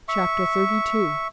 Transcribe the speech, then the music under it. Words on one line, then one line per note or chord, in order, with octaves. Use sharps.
Chapter XXXII.
E5 C#6